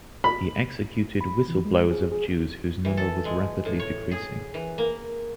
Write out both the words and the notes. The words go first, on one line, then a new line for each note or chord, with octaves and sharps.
He executed whistleblowers of Jews whose number was rapidly decreasing.
B5
B5
E3
G#3
G#4
G#4
E3
A4
G#3
A2
C#5
G#4
E3
A#3